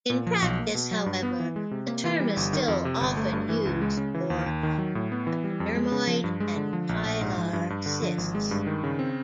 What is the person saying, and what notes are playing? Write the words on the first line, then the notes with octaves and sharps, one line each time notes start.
In practice however, the term is still often used for epidermoid and pilar cysts.
A#2
F3
B1
A#3
B2
F#3
G2
B3
E3
G#3
C3
A#3
E3
G3
G1
D#3
F2
C3
G1
A3
G2
E3
C#2
G#3
C#3
E3
D#2
D#2
D#3
F#3
A2
B3
E3
G3
F2
G#3
C#3
F3
G2
G#3
D3
F3
A#1
A#1
G#2
F3
G2
G2
D3
F3
G#1
G#3
G2
D#3
C#3
C4